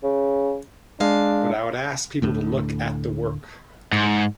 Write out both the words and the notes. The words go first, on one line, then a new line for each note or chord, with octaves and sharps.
But I would ask people to look at the work.
C#3
G#3 D4 F5
D2 A2 D3
G#2